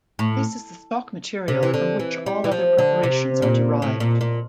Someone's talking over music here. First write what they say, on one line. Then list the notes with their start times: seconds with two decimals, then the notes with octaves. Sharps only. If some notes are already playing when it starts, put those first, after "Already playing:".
This is the stock material from which all other preparations are derived.
0.19 A2
1.48 C3
1.63 E3
1.74 D3
2.00 E3
2.26 G3
2.44 E3
2.52 F3
2.78 D3
3.03 C3
3.42 A#2
3.82 A2
4.00 A#2
4.21 A#2